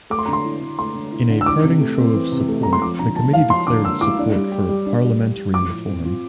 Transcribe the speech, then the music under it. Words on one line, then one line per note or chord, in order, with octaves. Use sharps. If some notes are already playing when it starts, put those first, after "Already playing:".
In a parting show of support the Committee declared its support for parliamentary reform.
A3 D6
C6
D3 A#5
C6
E4
D3
A3 C6
D3
E4
D3
E6
E3 D6
C3
A3
C4
E3
C3
A3
C4 A#5
C6
F3 D6
D3 A#5
A#3 A5
E4 F5
F3 C6
D3 D6
A#3 E6
E4 D6
D4
G3
G4
G3
D4
G3
G4
G3
F3 D6
A2
C4
F4